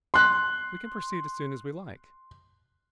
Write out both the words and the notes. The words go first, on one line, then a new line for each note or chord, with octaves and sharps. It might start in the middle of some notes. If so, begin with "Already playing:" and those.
We can proceed as soon as we like.
C6 F#6